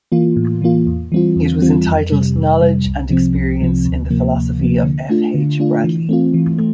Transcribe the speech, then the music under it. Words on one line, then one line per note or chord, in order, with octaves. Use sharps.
It was entitled "Knowledge and Experience in the Philosophy of F. H. Bradley".
E3 A#3 F4
A2
E3 A#3 F4
E2
E3 G3 C4 F4
E2
E3 G3 C4 F4
F2
C3 G3
F2
C3 G3
C2
C3 F3 C4
C2
C3 F3 C4
D2
C3 F3 A#3
D2
C3 F3 A#3
D3
A3 D4 F4
D3
A3 D4 F4
E3
A3 C4 F4
E3
A3